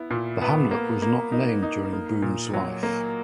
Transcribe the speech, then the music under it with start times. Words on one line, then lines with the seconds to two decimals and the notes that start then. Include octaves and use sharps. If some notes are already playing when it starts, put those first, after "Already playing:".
The hamlet was not named during Boone's life.
Already playing: B3 E4
0.10 A#2
0.42 B3
0.71 A#3
1.02 A#3
1.32 D#4
1.63 D#4
1.93 A#3
2.22 A#2
2.53 F#3
2.83 A#3